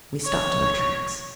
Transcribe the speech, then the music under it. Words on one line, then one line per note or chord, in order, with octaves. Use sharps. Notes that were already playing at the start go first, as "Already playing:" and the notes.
We stopped in our tracks.
C#5